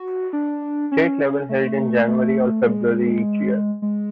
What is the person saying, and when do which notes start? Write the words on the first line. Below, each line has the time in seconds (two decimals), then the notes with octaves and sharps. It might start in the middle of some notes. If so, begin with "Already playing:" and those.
State level held in January or February each year.
Already playing: F#4
0.33 D4
0.92 C#4
1.49 A3
2.07 A3
2.66 G#3
3.82 G#3